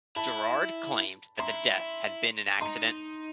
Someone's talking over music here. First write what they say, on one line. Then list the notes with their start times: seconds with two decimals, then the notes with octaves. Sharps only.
Girard claimed that the death had been an accident.
0.16 E4 A5 B5
1.39 E4 A#5 C6
2.61 D#4 A#5 C6